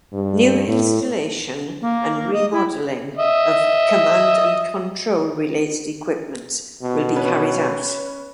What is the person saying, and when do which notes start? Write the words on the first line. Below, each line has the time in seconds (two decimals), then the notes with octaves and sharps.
New installation and remodeling of command and control related equipment will be carried out.
0.13 G2
0.67 A2
1.82 A#3
2.33 D#5
2.52 E4
3.17 D#5 E5
6.83 B2
7.16 C#4 B4